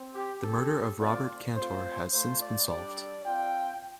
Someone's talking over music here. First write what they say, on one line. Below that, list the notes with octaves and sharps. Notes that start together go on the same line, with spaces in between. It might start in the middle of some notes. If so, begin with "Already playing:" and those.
The murder of Robert Cantor has since been solved.
Already playing: C4
G4
C4 G4 A4
A3 C4 F4 D5
A3 C4 F4 C5
A3 F4 C5
D5
G3 D4 G4 D5
C4 F4 G5